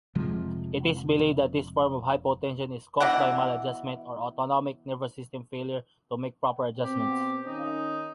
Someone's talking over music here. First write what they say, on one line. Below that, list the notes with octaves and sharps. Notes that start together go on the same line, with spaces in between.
It is believed that this form of hypotension is caused by maladjustment or autonomic nervous system failure to make proper adjustments.
F1 C3 F3 G#3
B2 E3 D5 F#5
B2 C4 G4
D#3 C#4 D#4